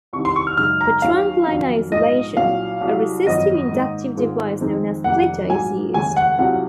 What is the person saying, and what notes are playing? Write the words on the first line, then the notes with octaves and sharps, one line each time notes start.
For trunk line isolation, a resistive inductive device known as splitter is used.
C2 C3 D#3 C#6
C6
C#6
F6
F#2 C#3 G#3 D#4 F6
A#5
D#2 D#3 F#3 C#4 F5
F2 D#3 F#3 C#4
A#1 G#2 F3 D#5
C2 A#2 F#3 C#4 F5
C2 C3 F#3
G#1 F#2 F3 C4 D#5
G#2 D#3 A#3
G#2 D#3 G#3 C4 F4
F2 D#3 G#3 C4 D#4
F1 F2 C3 D#3 A#3 F#5
A#1 G#2 F#3 A#3 G#5
F1 D#2 C#3 G#3 G#5
F#5
C2 C3 F#3 C#4 F4 F#5